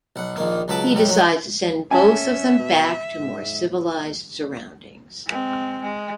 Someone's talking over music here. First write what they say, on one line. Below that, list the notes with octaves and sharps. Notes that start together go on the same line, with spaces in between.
He decides to send both of them back to more civilized surroundings.
B1 F#5
A#1 D#3 A#3
C#2 F#3 B4 A5 D6
B1 F#2 F#3 G4
F#3 F#4
C#4 E5 G#5 A5
B2
G#2
G#3 C4
G#3